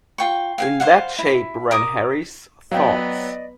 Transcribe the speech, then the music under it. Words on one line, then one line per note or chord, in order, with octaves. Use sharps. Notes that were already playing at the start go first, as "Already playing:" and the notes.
In that shape ran Harry's thoughts.
F4 G5 C#6
F5 G5 G#5
C5 C#5 F5 F#5
E4
A#4 D6 D#6
F#3 B3 D5 D#5 F5 G5